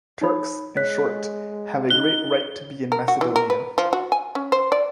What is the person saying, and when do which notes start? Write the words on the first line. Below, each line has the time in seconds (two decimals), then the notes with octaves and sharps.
Turks, in short, have a great right to be in Macedonia.
0.21 D#4 C#5 B5
0.77 G#3 C#5 F#6 B6
1.90 D#4 F#6 G7
2.92 A#4
3.08 F#4
3.21 E3
3.36 A#4
3.50 B4
3.78 F3
3.93 F#4
4.12 G#5
4.35 C#4
4.52 C5
4.72 D5